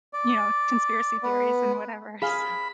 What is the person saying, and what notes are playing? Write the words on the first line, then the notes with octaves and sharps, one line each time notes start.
you know, conspiracy theories and whatever, so
D5
B3
G#4 F5 B5